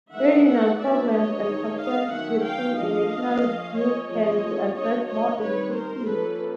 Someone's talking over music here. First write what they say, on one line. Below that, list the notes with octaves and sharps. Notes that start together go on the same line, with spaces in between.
Regional problems and concerns within a national view can be addressed more effectively.
D#3 G#3 B3 D4 E5 F#5
E5 F#5
F#3 B3 D4 D5 E5
C#5 D#5
D#3 G#3 C#4
D#5 F5
D#3 F#3 A#3 C#4 E5 F#5
F5 G5
F3 A3 D4 D#5 F5
F3 A3 C#4
C#5 D#5
F3 G#3 C4 C#5 D#5
F#3 A#3 D4 C#5 D#5
C#5 D#5
D#3 G3 C4 B4 C#5
A#4 C5
F3 A#3 C#4 A4 B4